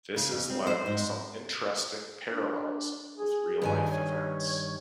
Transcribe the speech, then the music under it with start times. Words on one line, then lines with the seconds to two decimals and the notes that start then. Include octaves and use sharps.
This has led to some interesting parallels with real-life events.
0.16 C#3
0.31 F2
0.50 C4
0.67 C5
0.86 G#2
2.28 D4
3.17 G#4
3.62 G2 D#3 B4 G#5
3.91 C#5